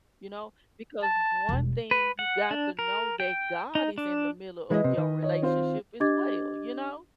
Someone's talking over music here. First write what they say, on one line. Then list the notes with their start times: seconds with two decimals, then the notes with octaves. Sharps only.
you know, because one thing you got to know that God is in the middle of your relationship as well, you know?
1.03 A5
1.49 E1 G3
1.91 B4
2.19 F#5
2.51 D4
2.79 A#4
3.20 G5
3.75 D#4
3.98 D4
4.70 E3 G#3 E4 B4 D#5
4.84 C3
4.97 D#3
5.23 C#5 D#5
5.42 C4 F4 C5
6.00 D4 G4 D#5 D6 G#6 A6